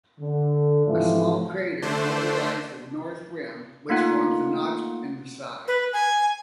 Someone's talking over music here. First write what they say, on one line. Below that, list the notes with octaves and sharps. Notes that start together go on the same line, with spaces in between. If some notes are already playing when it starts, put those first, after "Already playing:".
A small crater overlies the north rim, which forms a notch in the side.
D3
G#2 C3 E3 F3 A3
D3 A3 D4 C5
A3 A#3 D#4 F4 F#5
B4
G#5